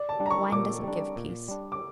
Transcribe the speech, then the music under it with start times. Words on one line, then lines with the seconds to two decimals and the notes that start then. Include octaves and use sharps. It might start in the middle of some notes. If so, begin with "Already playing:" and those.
Wine doesn't give peace.
Already playing: D5
0.09 A5
0.20 G3 D4
0.26 A#5
0.30 C#6
0.52 A#2 D6
0.84 G3 D4
1.16 A#2
1.48 G3 D4
1.72 D6